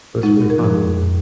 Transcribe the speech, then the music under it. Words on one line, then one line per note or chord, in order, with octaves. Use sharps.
It was pretty fun.
G#3 D#4
A#2
A#4
F3
F2 G#4
F2